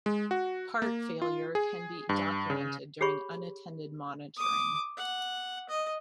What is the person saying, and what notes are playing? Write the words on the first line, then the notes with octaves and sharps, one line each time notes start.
Part failure can be documented during unattended monitoring.
G#3
F#4
A#3
F4
G#4
G2
C#3
G4 G#4 C#5 B5 C#6
D6 D#6
F#5
D#5